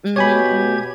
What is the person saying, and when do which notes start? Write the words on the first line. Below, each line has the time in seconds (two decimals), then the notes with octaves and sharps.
Mhm, mhm.
0.16 B2 G4 C#5 G#5 B5 G#6